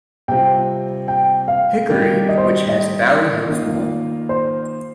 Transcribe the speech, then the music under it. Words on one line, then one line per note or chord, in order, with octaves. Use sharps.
Hickory which has Valley Hills Mall.
C3 G3 C4 F4 G5
G5
F5
D#3 G3 D#4 G4 A#4
D#5
C5
D#5
D#5
D#3 A#3 F4
C5